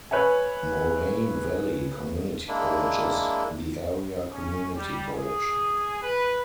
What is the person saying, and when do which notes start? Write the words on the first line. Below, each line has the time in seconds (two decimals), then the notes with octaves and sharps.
Moraine Valley Community College is the area community college.
0.11 B4 C#5 E5 G#5
2.48 G#3 A#3 D4 E4
4.33 C#4
4.75 G3
5.12 G#4
6.02 B4